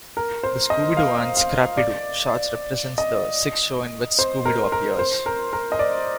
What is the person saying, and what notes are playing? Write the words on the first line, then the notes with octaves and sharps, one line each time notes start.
The "Scooby-Doo and Scrappy-Doo" shorts represents the sixth show in which Scooby-Doo appears.
A#4
C5
D#5
F5
F5
D5
D#5
C5
A#4
A#4
C5
A#4
A#4
D#5
D5